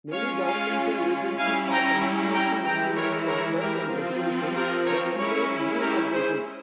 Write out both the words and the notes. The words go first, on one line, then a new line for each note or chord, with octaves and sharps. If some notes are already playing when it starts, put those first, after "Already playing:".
Many governmental agencies have continued to implement standards and regulations that encourage green computing.
G#3 C#4 F4 C#5 F5
F5 G#5
G3 C#4 E4 F5 G#5
G5 A#5
G5 A#5
E3 G#3 E4 G5 A#5
A#4 C#5
A#4 C#5
G4 A#4
F3 C4 F4
G4 A#4
A#4 C#5
G#3 C#4 E4 A#4 C#5
G4 A#4
G#4 C5